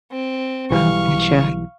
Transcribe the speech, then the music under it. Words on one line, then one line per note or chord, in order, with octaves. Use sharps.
Oh, gotcha.
C4
B1 E3 G3 F5 C#6